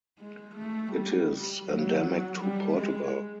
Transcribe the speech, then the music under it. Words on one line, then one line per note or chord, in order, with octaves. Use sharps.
It is endemic to Portugal.
G#3
A3
G3
F#3
G3
G#3